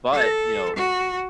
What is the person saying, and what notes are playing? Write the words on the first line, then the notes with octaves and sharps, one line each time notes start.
but, you know,
A4
F#4